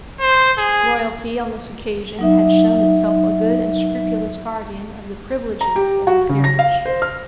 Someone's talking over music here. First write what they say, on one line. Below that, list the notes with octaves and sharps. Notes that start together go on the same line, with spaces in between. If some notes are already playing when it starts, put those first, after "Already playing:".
Royalty on this occasion had shown itself a good and scrupulous guardian of the privileges of the peerage.
C5
G#4
F#3 D#4 E5
A#5
G4
F#4
C#3
A#6
F5
C5
F6